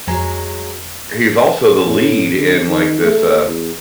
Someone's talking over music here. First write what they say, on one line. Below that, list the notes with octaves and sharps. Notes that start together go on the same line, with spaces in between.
he's also the lead in, like, this, uh,
F2 F#3 G#3 G#5 A#5
A2
D3
D#3
A3
E2